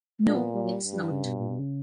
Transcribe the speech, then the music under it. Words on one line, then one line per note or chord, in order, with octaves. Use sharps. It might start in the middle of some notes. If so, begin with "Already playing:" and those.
No, it’s not.
A#2 D4
B3
G3
F#3
G3
G2
G3
E3
C#3
B2
A#2
B2
C#3